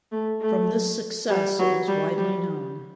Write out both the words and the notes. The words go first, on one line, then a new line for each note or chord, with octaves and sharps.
From this success it was widely known.
A3
A3
G3
F#3
G3
G3